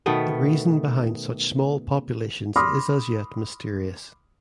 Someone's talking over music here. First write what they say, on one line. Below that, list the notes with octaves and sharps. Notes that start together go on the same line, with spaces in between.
The reason behind such small populations is as yet mysterious.
B2 D#3 A3 B3
B5 C6 D6 D#6 F6 A#6